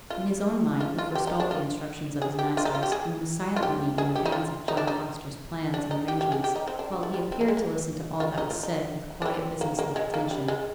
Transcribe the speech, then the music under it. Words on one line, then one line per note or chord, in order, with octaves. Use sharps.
In his own mind he forestalled the instructions of his masters, and was silently in advance of John Foster's plans and arrangements, while he appeared to listen to all that was said with quiet business-like attention.
F4
F4
F4
G4
D#4
D4
F4
G#4
G4
F4
D#4
F4
G4
G#4
F4
G4
G#4
G4
D#4
F4
D#4
D4
D#4
D4
D#4
G4
G4
G#4
G4
D#4
C4
D4
F3
G3
C4
A#3
G#3
A#3
F4
D#4
F4
D#4
D4
C4
A#3
A#3
G#3
A#3
G3
G#3